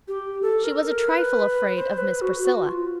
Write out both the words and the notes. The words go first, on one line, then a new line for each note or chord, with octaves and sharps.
She was a trifle afraid of Miss Priscilla.
G4
A4
A#4
A#4
B4
C5
B4
F#4
F#4
F4